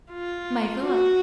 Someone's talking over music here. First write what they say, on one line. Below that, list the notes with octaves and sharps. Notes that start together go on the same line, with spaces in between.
"My God!"
F4
F#4